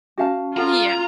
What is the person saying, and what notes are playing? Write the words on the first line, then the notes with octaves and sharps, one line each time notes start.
Mm. Yeah,
C#4 F#4 F5 A5
F4 A4 F#5 A#5